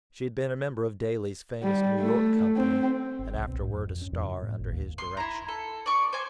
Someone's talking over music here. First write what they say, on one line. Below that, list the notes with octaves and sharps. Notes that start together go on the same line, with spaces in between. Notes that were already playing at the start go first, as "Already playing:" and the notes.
She had been a member of Daly's famous New York company, and afterward a "star" under his direction.
G3
A3
C4
G1
C2
B1
G#2
F2
F2
C#4
F2
C#3
A2
G#1
D#2
C6
E4 A#5
A4
D5 C#6
C5 G#5